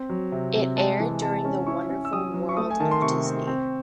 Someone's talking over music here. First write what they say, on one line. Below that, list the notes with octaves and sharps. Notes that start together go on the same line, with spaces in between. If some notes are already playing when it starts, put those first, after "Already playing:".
It aired during The Wonderful World of Disney.
Already playing: C4
F#3
C3
C3
G#3 A5
E3
C3 A5
C#4
E4 C#6
C#4
E6
F#3 D#6
F#3
C#6
A3 D#6
G#5
D#3 A5
C6
C3 C#6
C4
C4